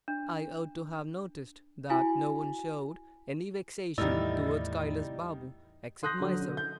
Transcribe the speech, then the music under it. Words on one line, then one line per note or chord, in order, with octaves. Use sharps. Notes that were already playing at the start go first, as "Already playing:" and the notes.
I ought to have noticed that no one showed any vexation towards Kailas Babu except myself.
D4
E4 F#4 G#5
E2 A2 D#3 G3 E4 D5 D#5 E6
C6 D#6 F#6 G6 A#6
D3 F#3
D3
G6